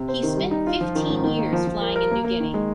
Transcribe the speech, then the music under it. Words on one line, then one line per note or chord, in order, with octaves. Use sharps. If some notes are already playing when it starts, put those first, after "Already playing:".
He spent fifteen years flying in New Guinea.
Already playing: C3
C5
D#3
G3
D#4
F4
F3
D#3
G#2
D#3
A#3
F3
F3
A#4
A#4
A#3
A#3
D#3
G#3